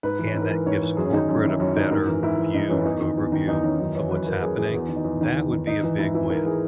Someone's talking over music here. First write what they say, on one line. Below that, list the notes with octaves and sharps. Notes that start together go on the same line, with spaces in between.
and that gives corporate a better view or overview of what's happening, that would be a big win.
G#2 B4
E3
C#5
G#2
A#4
E3 B4
G#2 C#5
E3
F#2 G#4
C#4
D#3 D#4
F#2 C#4
D#3 E4
F#2 C#4
D#3 D#4
G#2 A#4
E3
G#2 E4
E3
G#2 D#4
E3 C#4
E2 D#4
D#3
E2
D#3
E2 D#4
D#3 C#4
F#2 D#4
E3 C#5
F#2 B4
E3 A#4
F#2 G#4
E3 G#4
E2 F#4
D#3
D#4
E2
D#3
E2
D#3
G#2 D#4
E3 D#4
G#2 E4
E3 E4
G#2 A#4
E3 G#4